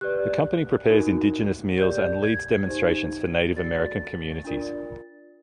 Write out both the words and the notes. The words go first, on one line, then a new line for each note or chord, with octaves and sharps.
The company prepares Indigenous meals and leads demonstrations for Native American communities.
G4 B4 D5 F#6
D#4 F#4 A#4
G4 A#4 D5 G6
G#6
D#4 G4 C5
F#4 A4 D5 A6
D4 F4 A#4 D5